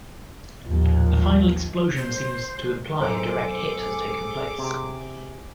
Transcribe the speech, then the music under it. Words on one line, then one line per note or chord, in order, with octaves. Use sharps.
A final explosion seems to imply a direct hit has taken place.
A1 D#2 A#2 F3
C5
B1 G#4 A4 C5 D6
C3